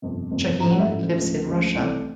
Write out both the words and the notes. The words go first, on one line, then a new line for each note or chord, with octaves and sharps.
Shaheen lives in Russia.
G1 F2 C3
G1 F2 C3
A1 A2 F3 A3 A#5
F#5
E5
A1 A2 F3 A3
D2 C#3 F3 G#3
D2 C#3 F3 G#3
C2 C3 E3 A3 D5